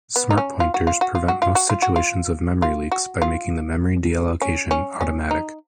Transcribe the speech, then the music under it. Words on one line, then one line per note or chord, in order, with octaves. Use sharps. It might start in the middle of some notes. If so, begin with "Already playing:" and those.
Smart pointers prevent most situations of memory leaks by making the memory deallocation automatic.
B3
D#4
C#4
F4
F#4
F4
F#4
F4
F#4
F4
F#4
F4
F#4
F4
F4
F#4
F4
C#4
C#4
C#4
D#4